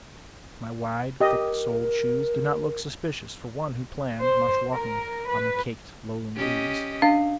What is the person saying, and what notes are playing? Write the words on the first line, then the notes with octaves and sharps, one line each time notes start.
My wide, thick-soled shoes did not look suspicious for one who planned much walking on the caked Lowland ooze.
G4 A#4 D#5
C5
A#4
B4
C#4 G4 D#5
D4 F5